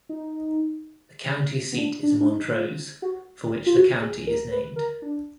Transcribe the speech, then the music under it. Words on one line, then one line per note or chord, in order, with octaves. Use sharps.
The county seat is Montrose, for which the county is named.
D#4
B3
D4
D4
D4
D#4
F4
F#4
F4
F#4
G#4
A#4
B4
A#4
D4